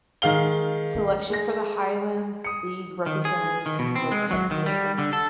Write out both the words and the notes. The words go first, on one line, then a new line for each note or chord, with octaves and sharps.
Selection for the Highland League representative team was kept simple.
D#3 G#3 F5 G7
G#3 A#6
D#6 C#7
D#3
G#4
D#3
B2
C4
G#3
F#3
D#3
G3
D3
A4